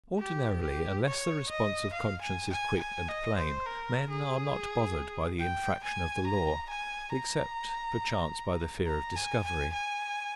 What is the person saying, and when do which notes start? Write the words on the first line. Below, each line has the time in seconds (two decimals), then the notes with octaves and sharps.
Ordinarily unless the response of conscience is quick and plain, men are not bothered by the infraction of the law except, perchance, by the fear of discovery.
0.19 G4
0.62 G4
1.06 C#5
1.49 D#5
1.93 F5
2.21 G#5
2.50 G#5
2.79 G#5
3.08 D#5
3.37 C5
3.66 A#4
4.09 G#4
5.40 G5
5.83 G#5
6.26 A#5
6.69 G#5
7.12 A#5
8.87 A#5
9.15 G#5
9.44 G#5
9.73 G#5